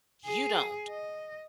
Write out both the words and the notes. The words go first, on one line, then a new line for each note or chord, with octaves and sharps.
You don't.
G#4
D#5